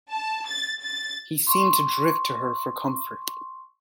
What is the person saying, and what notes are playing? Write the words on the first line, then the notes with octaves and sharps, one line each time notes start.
He seemed to drift to her for comfort.
A5
A6
A6
C6 C#6